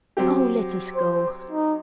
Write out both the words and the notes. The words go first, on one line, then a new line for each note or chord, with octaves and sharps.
'Oh! let us go.
F#3 C4 G4
C5
D#4